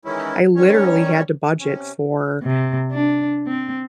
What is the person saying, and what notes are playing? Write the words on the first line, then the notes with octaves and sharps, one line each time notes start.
I literally had to budget for,
D#3 E3 G#3 C#4 E4
D#3 G3 C#4 C#5
C3 C#4
C3
D4
C4